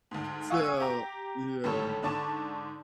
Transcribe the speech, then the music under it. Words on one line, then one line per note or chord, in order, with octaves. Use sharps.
So, yeah.
D2 G#2
F5 F#5 G#5 C#6 E6
G4 A#5
G#1 D3 G3 A4 C#5 E7
G#2 D3 D5 A5 C#6 E7